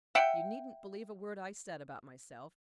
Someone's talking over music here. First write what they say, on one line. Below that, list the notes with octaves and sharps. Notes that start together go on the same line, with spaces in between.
You needn't believe a word I said about myself.
E5 F#5 G5